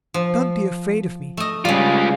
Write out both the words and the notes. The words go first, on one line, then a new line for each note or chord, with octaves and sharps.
Don't be afraid of me.
F3
A3 D#5
C#3 G3 G#3 F4